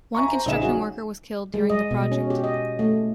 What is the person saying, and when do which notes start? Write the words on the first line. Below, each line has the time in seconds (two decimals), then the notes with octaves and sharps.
One construction worker was killed during the project.
0.15 E5 G#5 A#5 C#6
0.28 C5 A#5
0.46 A#1 C#3 D#4 G#4 E5 E7
0.61 F#3 F#4 G#4
1.54 G#3
1.70 D#5
1.91 B2
2.12 C#4
2.30 G4
2.44 D#5
2.79 A3